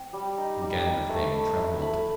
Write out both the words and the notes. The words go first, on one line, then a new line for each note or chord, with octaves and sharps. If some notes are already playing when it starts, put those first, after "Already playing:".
Again the Thing trembled.
Already playing: C4
G3
D#4
G3
D#4
A3 B5
A3
E4
A3 B5